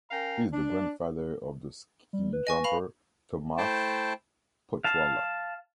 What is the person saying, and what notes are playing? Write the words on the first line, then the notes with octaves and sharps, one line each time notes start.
He is the grandfather of the ski jumper Tomasz Pochwała.
C#4 A#4 F5 G5 A#5
D4
G3
B4
D#5 G#5 C#6
F5 B5 F7
A3 E4 C5 G5 A5
F5 A5